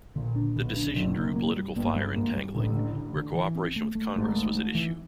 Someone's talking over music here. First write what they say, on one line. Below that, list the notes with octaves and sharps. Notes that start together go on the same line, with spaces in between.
The decision drew political fire and tangling, where cooperation with Congress was at issue.
A#1 A#2 D3
D4
B1 B2 D3
D4
F#1 F#2 D3
A#3
A#3
G3
G1 G2 A#3
G3
G#1 G#2 A#3
G3
A1 A2 D3
D3
D3
D3
E3
C4
A3
A3
G#1 G#2 A3
A3
A3
E3